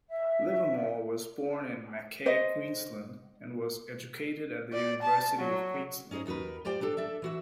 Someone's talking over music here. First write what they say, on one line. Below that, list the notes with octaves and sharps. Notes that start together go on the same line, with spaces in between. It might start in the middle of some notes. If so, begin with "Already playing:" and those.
Livermore was born in Mackay, Queensland, and was educated at the University of Queensland.
E5
C5 D#5
D5
A5
F#3
C#4 D#4 G#4 C5 D#5
D#2 D#4 F#4 A#4 B4
F4 G4 C5 D5 G5
G3 D4 G4 A4
D4 A4 E5
E3 F#4 E5